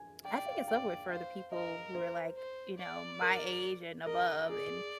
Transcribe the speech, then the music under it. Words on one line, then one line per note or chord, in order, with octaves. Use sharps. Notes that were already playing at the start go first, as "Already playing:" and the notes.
I think it's over with for the people who are, like, you know, my age and above, and,
Already playing: G#5
D5 G5
G5
F5
F5
D5 G5
C5 F5
A#4 D#5
C5
C5
D5
A#4
A#4 D#5
G#4 D5